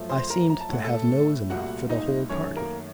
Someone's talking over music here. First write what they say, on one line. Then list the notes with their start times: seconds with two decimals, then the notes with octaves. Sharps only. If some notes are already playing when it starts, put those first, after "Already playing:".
I seemed to have nose enough for the whole party.
Already playing: F#2 F3 A3
0.10 C5 C6
0.24 C6
0.30 A#4 A#5
0.50 A#5
0.61 A5
0.69 A2 A3 F#5
0.84 A4 A5
1.50 C2 A#2 A3 F#4 F#5
1.89 D#4 D#5
2.29 F#2 D#3 A3 C#4 C#5
2.57 A#3 A#4